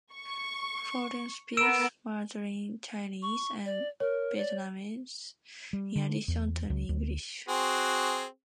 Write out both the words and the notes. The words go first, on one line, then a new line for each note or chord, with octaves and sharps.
Forden speaks Mandarin Chinese and Vietnamese in addition to English.
C#6
B3 A#4 E6 D7 E7
C#6
D5
A#4 C#5
D5
G3
D3
E2
C#2
D2
C4 F#4 G#4